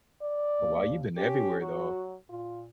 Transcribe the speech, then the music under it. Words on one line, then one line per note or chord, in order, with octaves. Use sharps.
But, wow, you've been everywhere though.
D5
D#2
C#4 G4
F#3 F#4
A#2 F4